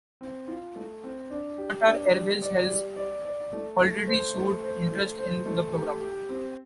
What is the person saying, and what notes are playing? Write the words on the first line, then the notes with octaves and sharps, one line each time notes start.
Qatar Airways has already showed interest in the program.
C4
F4
A3
C4
D4
G4
D4
G3
D5
G3
D5
D5
A3
A3
C5
A3
C5
A3
C5
A3
G4
G4
C4